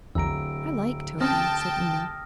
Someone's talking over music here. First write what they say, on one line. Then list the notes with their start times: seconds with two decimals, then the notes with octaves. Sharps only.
'I like Toby,' said Una.
0.15 D1 A#1 E2 A#5 E6 D7
1.21 C4 C#4 G5 A5 D#6 F6 A#6